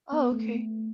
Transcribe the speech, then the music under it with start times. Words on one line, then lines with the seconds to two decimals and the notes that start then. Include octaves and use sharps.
Oh, okay.
0.12 B3
0.32 A3